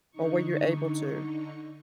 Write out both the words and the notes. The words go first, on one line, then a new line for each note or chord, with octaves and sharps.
or were you able to?
D3 D#4 C#6